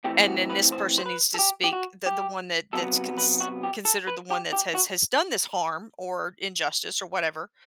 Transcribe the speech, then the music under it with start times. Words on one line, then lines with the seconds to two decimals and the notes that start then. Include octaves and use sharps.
And then this person who's to speak the the one that that's cons considered the one that has has done this harm or injustice or whatever,
0.04 E3 A3 C4 G4
0.27 F#4
0.50 B4
0.72 C5
0.98 C5
1.06 B4
1.34 A4
1.39 G4
1.64 G4
1.73 F#4
2.06 G4
2.73 C3 F#3 B3 A4
3.18 B4
3.40 F#4
3.63 G4
3.85 A4
4.07 B4
4.30 G4
4.53 G4
4.75 F#4